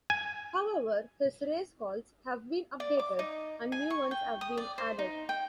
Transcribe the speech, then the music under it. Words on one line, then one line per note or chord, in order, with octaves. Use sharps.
However, his race calls have been updated, and new ones have been added.
G#5
D5
D6
D#4
G#5
C#6
G5
D#6
D5
C5
D#4
G5